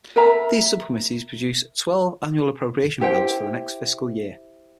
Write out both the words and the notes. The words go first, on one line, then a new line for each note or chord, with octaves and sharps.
These subcommittees produce twelve annual appropriation bills for the next fiscal year.
A#4 E5 A#5
E4 G4 C5 G5